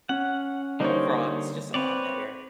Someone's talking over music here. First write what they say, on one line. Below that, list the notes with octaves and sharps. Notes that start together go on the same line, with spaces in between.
Overall, it's just a lot better,
C#4 F#5
D3 G3 A#3 D#4 C5 C#5
C4 B4 C#5 D5